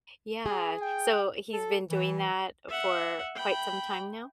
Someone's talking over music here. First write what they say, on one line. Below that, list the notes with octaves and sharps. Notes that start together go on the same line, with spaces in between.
Yeah. So he's been doing that for quite some time now?
G#4
G5
A4
E3
E5 F#5
G5 B5